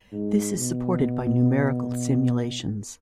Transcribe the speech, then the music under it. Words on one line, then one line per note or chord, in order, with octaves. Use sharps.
This is supported by numerical simulations.
G#2
B2